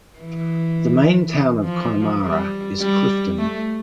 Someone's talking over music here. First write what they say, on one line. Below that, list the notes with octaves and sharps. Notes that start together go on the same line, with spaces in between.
The main town of Connemara is Clifden.
E3
F3
G3
G3
A3